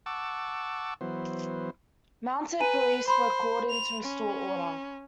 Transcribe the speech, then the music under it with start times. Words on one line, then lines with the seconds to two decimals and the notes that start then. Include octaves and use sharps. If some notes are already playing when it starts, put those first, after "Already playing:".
Mounted police were called in to restore order.
0.06 F#5 A5 C#6 D6 E6
1.01 E3 F#3 B3 C5
2.60 B4 G#5 A#5 D#7
3.08 C5 B5 C6
3.70 F7
4.04 C#4